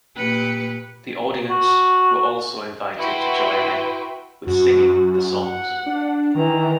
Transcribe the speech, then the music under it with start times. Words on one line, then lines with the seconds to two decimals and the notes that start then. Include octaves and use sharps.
The audience were also invited to join in with singing the songs.
0.16 A#2 G4 B4 F#6 C#7
1.50 F#4
2.96 E4 F#4 B4 G5 C6
4.47 F#2 F#4
5.45 F#5
5.86 D4
6.35 D#3 E3 A#5